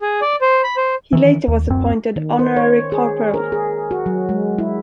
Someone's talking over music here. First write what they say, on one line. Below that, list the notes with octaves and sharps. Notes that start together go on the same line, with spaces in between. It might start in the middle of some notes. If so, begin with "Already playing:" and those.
He later was appointed honorary corporal.
G#4
D5
C5
B5
C5
D#3 E3
D#2
D1 F#2 C4
D#3
C5
C#5
G#4
A#4
G#4
F#4
F#3
G#3
E4